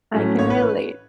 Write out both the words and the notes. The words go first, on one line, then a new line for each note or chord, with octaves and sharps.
I can relate.
A2 F#3 A3 C#4
A1 C#5
B4